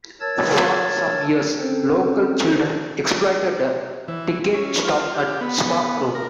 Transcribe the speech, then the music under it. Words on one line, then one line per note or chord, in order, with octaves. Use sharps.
For some years local children exploited the ticket stops at Spa Road.
A#4 C#5 A5 E6 G#6 A6
C4 C#4 A4 C5
E3
C#4
F4
G4
B3
A#4